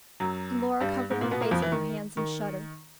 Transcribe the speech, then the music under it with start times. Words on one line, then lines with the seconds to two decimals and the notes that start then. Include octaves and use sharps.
And Lora covered her face with her hands and shuddered.
0.20 F#2 F#3
0.80 G2 G3
1.11 G#2 G#3
1.21 A#2 A#3
1.31 B2 B3
1.41 A#2 A#3
1.51 F2 F3
1.62 E3
1.72 D#3
2.17 D#3